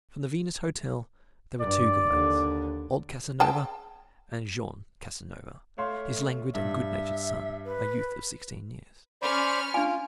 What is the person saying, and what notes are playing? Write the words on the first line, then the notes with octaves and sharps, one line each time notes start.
From the Venus Hotel there were two guides, old Casanova and Jean Casanova, his languid and good-natured son, a youth of sixteen years.
G2 D5
D#2 D3
G#4 G5 A5
A3 C#5 F5 C6
G2 E5
B4
C#4 C5 D5 B5 F6
D4 F4 G#5